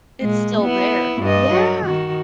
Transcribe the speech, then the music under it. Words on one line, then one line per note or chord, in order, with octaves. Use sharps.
It's still there, yeah.
A#2 G#3
B3 E4
G2 D#5
F#3
D#3 F#4